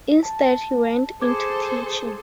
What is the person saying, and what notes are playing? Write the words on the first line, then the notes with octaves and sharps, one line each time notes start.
Instead he went into teaching.
A5
G#4 A4 C5 D6 G#6